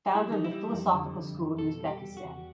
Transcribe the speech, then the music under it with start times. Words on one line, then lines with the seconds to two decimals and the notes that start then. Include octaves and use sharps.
Founder of the philosophical school in Uzbekistan.
0.08 G3
0.15 E4
0.30 E3 D#4
0.44 E4
0.51 G3
0.73 F2
0.94 D3
1.16 F2
1.37 F2
1.58 B2 A4
1.80 G3
1.87 G4
2.02 E2
2.17 F#4
2.24 E2